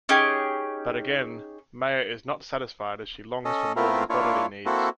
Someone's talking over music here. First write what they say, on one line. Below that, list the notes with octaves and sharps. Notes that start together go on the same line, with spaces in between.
But again, Maya is not satisfied as she longs for more than bodily needs.
C#4 D#4 G4 G#4
C#4 A4 D#5
A3 B3 C4 E4 F4 A#4
A#3 D4 E4 F4 C#5
A#3 C4 E4 F#4 A4